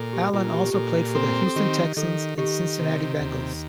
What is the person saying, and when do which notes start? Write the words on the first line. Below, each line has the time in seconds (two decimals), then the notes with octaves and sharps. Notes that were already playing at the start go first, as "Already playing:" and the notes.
Allen also played for the Houston Texans and Cincinnati Bengals.
Already playing: A#2 A4
0.13 G4
0.33 A#2 F4
0.54 G4
0.66 G4
0.74 A#2 A4
1.10 G4
1.15 C4 A4
1.46 A4
1.55 D#3 G4
1.97 D#3 A4
2.38 D#3 G4
2.79 C3
3.20 D#2